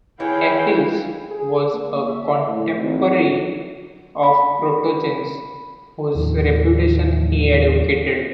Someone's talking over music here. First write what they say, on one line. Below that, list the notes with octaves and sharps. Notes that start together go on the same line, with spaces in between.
Apelles was a contemporary of Protogenes, whose reputation he advocated.
E3 G#4 C#5 F5 G5 B5
G#4
A#3
E5
A2
G#1
B5
D#2 A2 D#3 F3